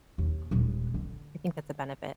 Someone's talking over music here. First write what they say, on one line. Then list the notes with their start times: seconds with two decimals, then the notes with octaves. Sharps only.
I think that's a benefit.
0.18 D#2
0.51 D#1 G#3
0.94 D3